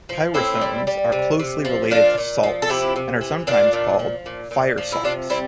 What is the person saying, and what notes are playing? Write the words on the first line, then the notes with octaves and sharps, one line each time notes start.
Pyrosomes are closely related to salps, and are sometimes called "fire salps".
F3
A2 C4 E4
G3
G3
C3
C3
F3
A#2 D4 F4
A#2
F3
A4
C3 E4 G4
C3
E3
A#2 D4 F4
A#2
F3
A#2
A#2
F3
E4
C3 D4 F4
G3 C4 E4